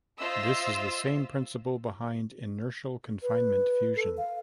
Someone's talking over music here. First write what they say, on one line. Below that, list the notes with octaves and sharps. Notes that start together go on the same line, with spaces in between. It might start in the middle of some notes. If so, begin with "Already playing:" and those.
This is the same principle behind inertial confinement fusion.
F4 C5 D#5 E5 E6
B4
A4
F5